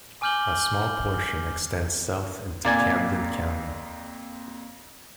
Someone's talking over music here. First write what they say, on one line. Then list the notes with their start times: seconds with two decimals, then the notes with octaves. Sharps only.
A small portion extends south into Camden County.
0.22 G#5 D6 F6 G6 F#7 G7
2.65 F2 A#2 A#3 D5 G#5